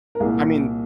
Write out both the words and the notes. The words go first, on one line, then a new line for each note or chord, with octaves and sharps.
I mean
A#4
C2 A#2 G#4